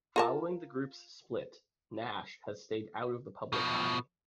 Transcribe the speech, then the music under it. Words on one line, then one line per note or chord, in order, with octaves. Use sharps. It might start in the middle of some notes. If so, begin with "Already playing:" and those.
Following the group's split, Nash has stayed out of the public eye.
F4 A#4 A5
B2 F3